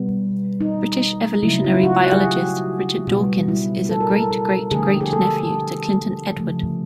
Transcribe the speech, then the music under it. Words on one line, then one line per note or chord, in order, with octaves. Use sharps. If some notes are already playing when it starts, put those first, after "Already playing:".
British evolutionary biologist Richard Dawkins is a great-great-great-nephew to Clinton Edward.
Already playing: B2 G3 B3
D#4
C#3 F#3 A3 E4
E4
F4
F#4
G#4
G4
B2 G3 B3 F#4
E4
A4
A#4
A4
A4
D3 F3 A3 G#4
G4
G#4
A4
C#3 F3 A3